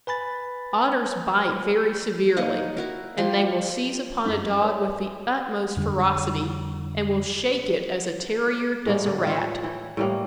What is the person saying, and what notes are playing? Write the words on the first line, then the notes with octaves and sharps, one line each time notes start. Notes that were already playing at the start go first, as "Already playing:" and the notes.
Otters bite very severely, and they will seize upon a dog with the utmost ferocity, and will shake it as a terrier does a rat.
B4 G#5 B5 A6
A#3 D#4 D#5 F#5
E4 F#4 A#4
F3 G4 C6
F#2 G#3 E4 B6
A#4 B4 C#5 D5 E5
F2 D3 G3
A2 E3 G#3 A#3
D3
F4 B4 C#5 E5
E3 E4 G5
A2 G3 A#3